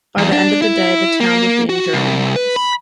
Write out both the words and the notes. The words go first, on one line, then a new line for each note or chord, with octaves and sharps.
By the end of the day, the town would be in German hands.
E2
D4
E4
A#3
F#4
C2
B4
B5